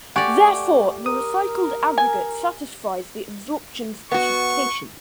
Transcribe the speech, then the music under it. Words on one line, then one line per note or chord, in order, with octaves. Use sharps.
Therefore, the recycled aggregate satisfies the absorption specification.
A3 G4 D5 F#5 G#5 C#6
A#4 D#6
G#5
B3 F#4 C#6